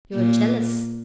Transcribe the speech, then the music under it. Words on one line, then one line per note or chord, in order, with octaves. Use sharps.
You are jealous.
A#2